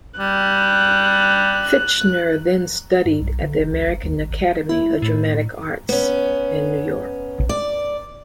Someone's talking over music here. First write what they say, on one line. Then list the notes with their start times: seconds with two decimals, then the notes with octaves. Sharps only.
Fichtner then studied at the American Academy of Dramatic Arts in New York.
0.20 G3 F#6
3.05 G2
3.20 B1
3.42 D3
3.59 F1
3.73 C#2
3.87 G1
4.03 D#2
4.17 G#1
4.30 G#1
4.69 E4
5.02 A2
5.89 B3 C#4
7.49 D5